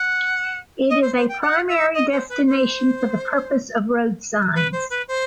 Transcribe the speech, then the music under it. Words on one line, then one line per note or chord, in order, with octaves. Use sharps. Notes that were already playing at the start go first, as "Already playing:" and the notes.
It is a primary destination for the purpose of road signs.
Already playing: F#5
D#5
C5
C5
G5
F#5
E5
D#5
C5
B4
C5
B4
C5
B4
C5